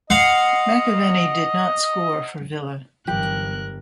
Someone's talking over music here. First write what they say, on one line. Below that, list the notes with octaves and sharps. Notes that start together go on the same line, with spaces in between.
McAvennie did not score for Villa.
D#5 F5 F#5 C6
G1 E3 F#3 G4 A#4 F#6